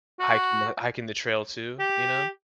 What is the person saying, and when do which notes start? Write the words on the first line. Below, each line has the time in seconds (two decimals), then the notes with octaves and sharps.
hiking tha hiking the trail too, you know,
0.20 F#4
1.79 G4